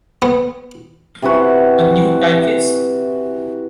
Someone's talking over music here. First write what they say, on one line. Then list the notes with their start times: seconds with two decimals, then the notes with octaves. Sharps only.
A New Typeface?
0.22 B3
1.22 C3 E3 E4 F#4